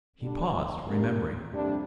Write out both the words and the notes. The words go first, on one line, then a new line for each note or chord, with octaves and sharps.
He paused, remembering.
D3 G3 D4
C3 A#3 D4 G4 A#4
F2 C3 G3 D4